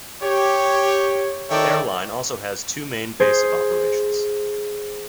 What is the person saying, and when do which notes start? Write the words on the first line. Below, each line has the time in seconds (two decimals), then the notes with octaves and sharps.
The airline also has two main base of operations.
0.23 G4 C#5
1.50 D#3 A4 C#5 D5 E5 G5
3.20 G#4 C5